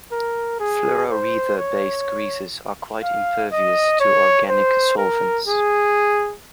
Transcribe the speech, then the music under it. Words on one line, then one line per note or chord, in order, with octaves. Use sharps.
Fluoroether-based greases are quite impervious to organic solvents.
A#4
G#4
C5
C#5
F5
D#5
C#5
C5
A#4
G#4